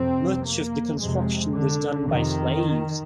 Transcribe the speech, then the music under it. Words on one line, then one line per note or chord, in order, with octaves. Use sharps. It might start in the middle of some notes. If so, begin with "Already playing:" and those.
Much of the construction was done by slaves.
Already playing: F2 C3 C4
A#3
F2 C3 G#3
D3
F2 C3 D#3